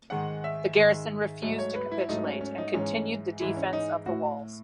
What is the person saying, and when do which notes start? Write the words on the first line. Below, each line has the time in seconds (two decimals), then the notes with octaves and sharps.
The garrison refused to capitulate, and continued the defense of the walls.
0.10 G#2 D#3 G#3 F#5
0.44 E5
0.76 G#2 D#3 G#3
1.42 G#2 F#3 A3
1.58 C#5
1.75 B4
1.91 E4
2.09 G#2 F#3 A3 D#4
2.24 C#4
2.41 C#4
2.58 D#4
2.74 G#2 E3 G#3 C#4
3.40 G#2 E3 G#3 E4
3.57 C#4
3.73 D#4
4.06 A2 F#4